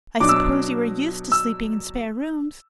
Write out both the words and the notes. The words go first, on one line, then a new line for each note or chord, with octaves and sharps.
I suppose you are used to sleeping in spare rooms.
B2 F#3 D4 D6
E6
D6
E6